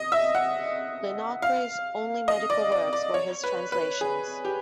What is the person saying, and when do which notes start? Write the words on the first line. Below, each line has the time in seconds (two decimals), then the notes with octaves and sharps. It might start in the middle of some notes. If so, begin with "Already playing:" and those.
Linacre's only medical works were his translations.
Already playing: D#5
0.12 E5
0.35 F#5
1.42 F5
2.28 D#5
2.50 D5
2.72 D5
2.93 D5
3.14 C#5
3.44 B4
3.72 B4
4.01 G#4
4.45 G4